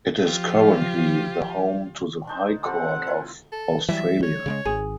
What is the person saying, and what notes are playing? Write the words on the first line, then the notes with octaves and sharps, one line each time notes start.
It is currently the home to the High Court of Australia.
F3 F4 G4
D4 D#4 C5
F3 G3 C4 A4 C5 F#5
E4 F4
A4
E3 F#3 G3 E5
C#5
C#3 G3 G#3
G#1 G#4